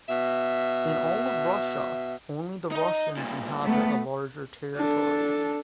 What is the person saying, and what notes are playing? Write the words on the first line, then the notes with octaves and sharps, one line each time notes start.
In all of Russia only the Russians inhabit a larger territory.
B2 E5
D#4 D#5
G2 A#2
A3 B3
D4 A4